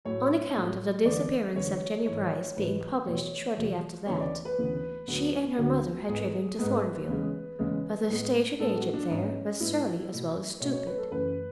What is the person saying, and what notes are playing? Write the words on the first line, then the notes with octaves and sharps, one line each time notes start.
On account of the disappearance of Jennie Brice being published shortly after that, she and her mother had driven to Thornville, but the station agent there was surly as well as stupid.
A2 F#3 A3 C#5
A2 F#3 A3
E2 D3 G#3 B3 D5
E2 D3 G#3 B3 C#5
G#2 E3 A3 C#5
G#2 E3 A3 B4
E2 B2 F#3 A3 C#5
E2 B2 F#3 A3
D2 C#3 E3 B3 C#5
D5
B4
D2 C#3 E3 B3
D2 D3 F#3 B3
D2 D3 F#3 B3 F#4
G#2 G#3 B3 G#4
G#2 G#3 B3 B4
E2 C#3 G#3
E2 C#3 G#3
A2 G#3 B3
A2 G#3 B3 A4
F#4
D4
G#2 G#3 B3 C#4
G#2 G#3 B3 E4
B2 A3
B2 A3 C#5
C#5
B4
A4
F#2 C#3 E3 A3 B4